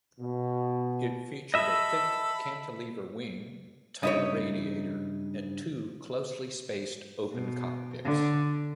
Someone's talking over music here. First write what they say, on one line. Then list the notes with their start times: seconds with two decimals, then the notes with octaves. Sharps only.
It featured a thick cantilever wing, tunnel radiator and two closely spaced open cockpits.
0.19 B2
1.54 A4 D#5 E5 B5
4.03 G2 C#3 D#4 E4 C#5
7.31 B2
8.04 D3